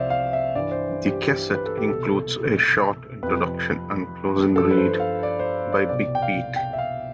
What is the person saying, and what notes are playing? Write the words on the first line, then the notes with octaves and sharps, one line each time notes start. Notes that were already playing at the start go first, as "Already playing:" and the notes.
The cassette includes a short introduction and closing read by Big Pete.
Already playing: C2 C3 F3 C5 D5 E5 F5
F5
E5
G2 E3 D5
C5
G4
G4
B4
A4
G4
C2 B2 A4
F2 C3 F3 B4
G2 F3 A4
B4
C5
F5
D5
C5
D5
C2 B2 D5
G5
F5
G5
E5
F5